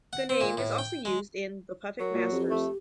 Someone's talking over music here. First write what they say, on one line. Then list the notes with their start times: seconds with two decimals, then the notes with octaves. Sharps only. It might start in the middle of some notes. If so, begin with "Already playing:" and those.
The name is also used in "The Puppet Masters".
0.13 F#5
0.29 C4
0.41 A#2
0.57 A2
0.78 G5
1.05 G#3
2.00 F#3 A#4
2.14 A#2
2.32 F2 G4
2.50 A3